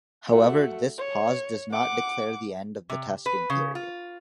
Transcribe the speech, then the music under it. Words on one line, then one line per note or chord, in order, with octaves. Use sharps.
However, this pause does not declare the end of the testing period.
A3 F#4
C#5
F#5 D6
C3
B4
C#3
F4